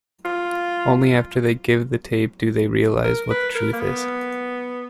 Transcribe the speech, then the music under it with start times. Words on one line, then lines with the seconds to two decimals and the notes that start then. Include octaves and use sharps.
Only after they give the tape do they realise what the truth is.
0.25 F4
3.04 A#4
3.30 B4
3.55 A#4
3.73 A#3
3.81 B3